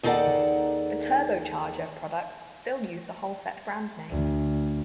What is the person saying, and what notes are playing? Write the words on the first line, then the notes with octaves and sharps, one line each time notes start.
The turbocharger products still use the Holset brand name.
D#2 D#4 G#4 A4 D5 F#5
D2